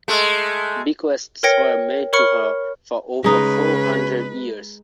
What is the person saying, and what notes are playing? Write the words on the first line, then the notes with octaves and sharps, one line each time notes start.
Bequests were made to her for over four hundred years.
G#3 A3
A#4 B4 C#5 G5 A#6 C#7
A#4 C#5 B5 C#6 F6 C#7
C#3 G#3 D#4 B4